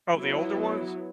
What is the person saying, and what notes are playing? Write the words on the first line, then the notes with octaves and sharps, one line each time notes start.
Oh, the older ones?
F#3 B3 E4